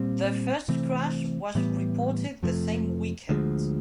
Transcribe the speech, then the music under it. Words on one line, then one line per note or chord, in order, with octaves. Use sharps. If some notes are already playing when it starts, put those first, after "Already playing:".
Their first crash was reported the same weekend.
Already playing: A#2 G3 C4
C3 E3 A3 C4
A2 E3 G3 B3
F2 C3 F3 A3
D2 D3 F3 G#3